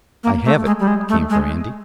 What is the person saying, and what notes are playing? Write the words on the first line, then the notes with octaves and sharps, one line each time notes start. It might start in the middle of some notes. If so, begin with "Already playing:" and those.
"I have it!" came from Andy.
A#3
A3
G#3
G3
G#3
A3
G#3